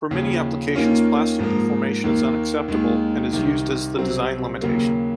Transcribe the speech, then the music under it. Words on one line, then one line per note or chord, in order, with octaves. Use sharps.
For many applications, plastic deformation is unacceptable, and is used as the design limitation.
D#2 C#3 F3
D#2 D#3 A#3 C#4 F4
G#2 F3 A#3
D#2 D#3 A#3
D#2 D#3 G#3
C2 C3 D#3
C2 C3 F#3 C4
D#2 C#3 F#3 A#3